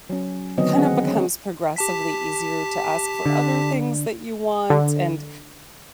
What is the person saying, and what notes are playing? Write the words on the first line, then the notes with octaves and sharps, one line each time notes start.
kinda becomes progressively easier to ask for other things that you want, and
F#3 C#4
D3 D#3 F#3 B3 C4 D#5
E3 C4 C#4 G#4 F#5
C#4
G4 A5 B6
D3
D3